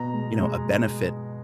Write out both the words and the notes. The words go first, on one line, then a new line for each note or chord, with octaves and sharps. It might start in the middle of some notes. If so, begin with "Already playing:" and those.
you know, a benefit
Already playing: B2 A#5
G#3
G#3